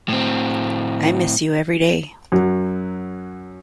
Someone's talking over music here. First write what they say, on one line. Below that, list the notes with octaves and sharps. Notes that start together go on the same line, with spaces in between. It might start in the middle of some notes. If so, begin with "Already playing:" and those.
I miss you every day.
A2 C4
F#2 F#3